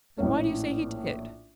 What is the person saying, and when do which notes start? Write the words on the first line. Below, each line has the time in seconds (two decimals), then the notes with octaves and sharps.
"Then why do you say he did?"
0.18 A#1 A2 C#4